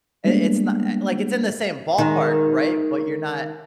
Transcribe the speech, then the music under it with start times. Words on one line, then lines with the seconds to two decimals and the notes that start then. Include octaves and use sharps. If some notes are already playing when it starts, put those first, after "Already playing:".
i it's not eh like, it's in the same ballpark, right, but you're not
0.24 G3 G#3 A#3 B3 D4
1.98 D#3 G#3